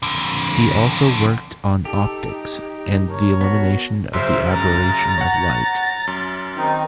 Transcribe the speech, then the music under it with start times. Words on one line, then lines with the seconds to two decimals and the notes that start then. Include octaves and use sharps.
He also worked on optics and the elimination of the aberration of light.
0.03 F2 D3
1.85 D#4 G4 A4
2.30 D#4
3.08 A#4 C#5 A5
3.41 B3 F#4
4.13 F#2 C#3 C5 E5
4.53 A#5 A6
5.18 C#5 F#5
6.07 F#2
6.56 D#3 C4 D#4